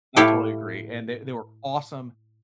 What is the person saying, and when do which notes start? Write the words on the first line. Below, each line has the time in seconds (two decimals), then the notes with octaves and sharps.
I totally agree and they they were awesome,
0.16 A2 E4 G4 A4 F5